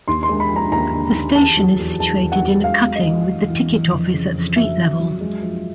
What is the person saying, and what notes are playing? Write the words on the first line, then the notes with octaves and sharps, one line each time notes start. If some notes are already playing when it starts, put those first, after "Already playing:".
The station is situated in a cutting with the ticket office at street level.
D#2 C6
C6
G#3
B5
F3
A#5
D#2 A#5
D3
D#2
E2 A5
F#3
E2
E2 A5
E2
F#5
F#3
G#3 F5
G#3
D#5
G#3
E3
E3
E3
F2
C#3
F2
F#3 E5
F2
F#3
G#3
F3